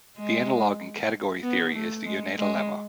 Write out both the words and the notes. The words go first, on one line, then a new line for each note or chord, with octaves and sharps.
The analogue in category theory is the Yoneda lemma.
G#3
B3
A3
G#3
G#3